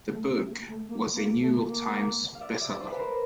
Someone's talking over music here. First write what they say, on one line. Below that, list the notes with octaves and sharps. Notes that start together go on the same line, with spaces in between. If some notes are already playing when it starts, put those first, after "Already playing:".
The book was a "New York Times" bestseller.
A3
A3
A#3
A3
A#3
A#3
A3
A#3
F5
D5 E5
D5 E5
C5 D5
B4
A#4 C5